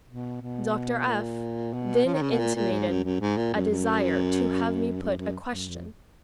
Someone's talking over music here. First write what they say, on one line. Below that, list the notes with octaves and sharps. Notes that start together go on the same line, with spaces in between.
Dr. F--then intimated a desire to have me put a question.
B2
B2
A#2
B2
F3
D#3
C#3
B2
A#2
A#2
G#2
F#2
F#2
G#2
A#2
F#2
F#2
F#2
F#2
F#2
F2